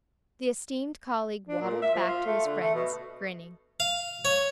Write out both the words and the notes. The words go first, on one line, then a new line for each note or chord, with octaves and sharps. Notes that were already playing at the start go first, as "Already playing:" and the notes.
The esteemed colleague waddled back to his friends, grinning.
D4
A#2
E5
F3
F4
A3
D3
A3
B2
F5
C#5